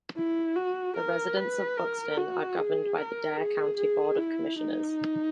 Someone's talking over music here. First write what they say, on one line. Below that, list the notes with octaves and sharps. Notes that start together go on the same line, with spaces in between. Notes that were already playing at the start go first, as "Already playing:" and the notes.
The residents of Buxton are governed by the Dare County Board of Commissioners.
E4
F#4
A#4
B4
A#4
F#4
G#4
A#4
G#4
G#4
E4
D#4